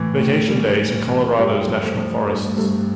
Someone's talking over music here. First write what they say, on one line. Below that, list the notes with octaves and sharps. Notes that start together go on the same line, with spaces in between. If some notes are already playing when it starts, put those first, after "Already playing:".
Vacation days in Colorado's national forests.
Already playing: A2 E3
A2
G3
A2
E3
G2 G4
F3
A3
F3
G2 A3
G2 A3